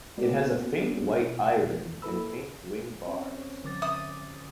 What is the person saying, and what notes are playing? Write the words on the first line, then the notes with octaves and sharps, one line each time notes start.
It has a faint white eye ring and faint wing bars.
G#3 B3 F#4 A#4 D5
A#3 B3 C#4 F#4
A#3 B3 C#4 D4
B2
A#3 E4 A4 B4 B5 E6
C4 C#4
D3 D6 A6
E5 D#6